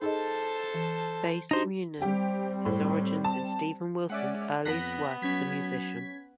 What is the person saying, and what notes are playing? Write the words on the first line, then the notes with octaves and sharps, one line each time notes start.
"Bass Communion" has origins in Steven Wilson's earliest work as a musician.
D#4 G#4 A4 C5 D#5 A5
E3
D4 D#4 F#4 G4 C5
G3 C4 G4
A2
A5
G#3 C#4 D5 E5 F#5
F2 B3 F#6 A#6 B6
F#3 C#4 G#6 B6